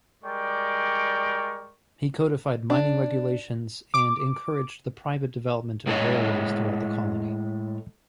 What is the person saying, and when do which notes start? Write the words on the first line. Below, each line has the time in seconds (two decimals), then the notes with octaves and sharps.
He codified mining regulations and encouraged the private development of railways throughout the colony.
0.24 G3 G#3 A#4 D5 G5 C#6
2.70 D4
3.94 D6
5.86 A2 G#3 D#4 A4 C#5 D#5